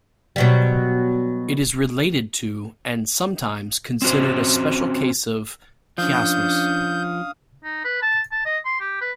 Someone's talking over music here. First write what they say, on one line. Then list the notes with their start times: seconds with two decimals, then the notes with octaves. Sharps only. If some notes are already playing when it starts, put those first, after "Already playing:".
It is related to, and sometimes considered a special case of, chiasmus.
0.36 B2 F#3 G3
4.02 C4 C#4 F#4 C5
5.98 F3 C#4 D4 F5 D#6 G6
7.64 D#4
7.84 B4
8.02 A5
8.31 A5
8.45 D#5
8.65 C6
8.80 G4
9.01 B4